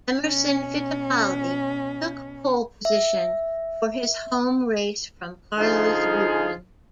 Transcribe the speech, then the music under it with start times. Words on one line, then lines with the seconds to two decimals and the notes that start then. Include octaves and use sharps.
Emerson Fittipaldi took pole position for his home race from Carlos Reutemann.
0.20 B2 C#4
2.85 E5
5.58 D3 F3 D#4 F4 G#4